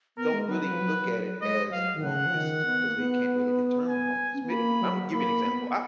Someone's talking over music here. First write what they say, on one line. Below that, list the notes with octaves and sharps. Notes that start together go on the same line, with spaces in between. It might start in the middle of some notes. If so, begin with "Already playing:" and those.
don't really look at it as long distance because they can't really determine long distance. May Imma give you an example: I
B3 A#4
G#3
F#3 B4
F#3
F3
F#3
G#3 D#5
F#3 F5
D#3
C#3 F#5
F3
D#3
B3
A#3
B3
G#5
C#4
B3
A#3 B5
F#3
A#3 B5
B3